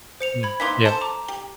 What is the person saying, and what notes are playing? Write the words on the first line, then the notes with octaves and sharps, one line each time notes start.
Mhm, yeah.
C5 C#7 F7
B5 G#6
E3 A#3 D#4 C6 D6 B6
A4 C5 A5 E7
A#5 D6
G4